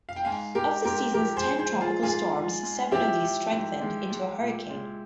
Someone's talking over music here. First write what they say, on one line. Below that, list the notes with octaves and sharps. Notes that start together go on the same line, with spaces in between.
Of the season's ten tropical storms, seven of those strengthened into a hurricane.
F5
G5
G#2 F5 G#5
G#2 G4 A#4
G#2 G4 A#4
F3 G4 A#4
G#4 C5
G#3
G#4 C5
F3
F4 G#4
G#2 F4 G#4
G#2
G#2
F3 E4 G4
F3
G#2
G#3
G#3
A#2
G#3